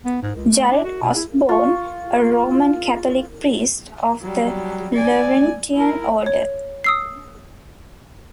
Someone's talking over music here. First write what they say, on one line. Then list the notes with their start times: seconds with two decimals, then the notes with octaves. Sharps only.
Jared Osborne, a Roman Catholic priest of the Laurentian order.
0.05 B3
0.22 G#2
0.35 C#2
0.53 A3
0.71 D4
0.84 F#4
1.02 B2
1.16 E4
1.49 F4 C#6
4.21 F#3 G3
4.94 D5 G#5
5.74 E4 A#4
6.26 C#5
6.84 D#6 E6 C7